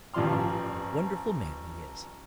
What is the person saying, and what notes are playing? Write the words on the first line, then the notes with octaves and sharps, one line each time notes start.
A wonderful man he is.
A1 G2 F3 D5 C6 F6